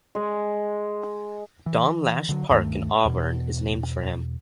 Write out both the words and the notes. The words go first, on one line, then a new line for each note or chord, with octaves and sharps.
Don Lash Park in Auburn is named for him.
G#3
E3
D3 E3 F#3
D2 G2 D#3 A3
E2 B2